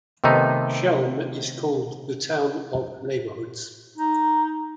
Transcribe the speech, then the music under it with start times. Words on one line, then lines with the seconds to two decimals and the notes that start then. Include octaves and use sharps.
Schwelm is called the "town of neighbourhoods".
0.24 C3 D#3 A3 B3 D#4
3.98 D#4